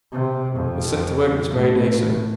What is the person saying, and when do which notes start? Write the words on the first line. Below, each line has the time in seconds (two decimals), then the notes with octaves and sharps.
"We'll set to work this very day, sir."
0.12 C3
0.56 F2
1.49 A2